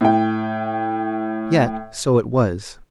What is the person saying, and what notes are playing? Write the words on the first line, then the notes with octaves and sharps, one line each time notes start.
Yet so it was.
A2 G5